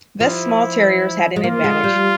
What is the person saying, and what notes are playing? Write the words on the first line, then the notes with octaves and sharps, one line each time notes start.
Thus small terriers had an advantage.
F3 E4
G#3
A#3 F4
G#3
G3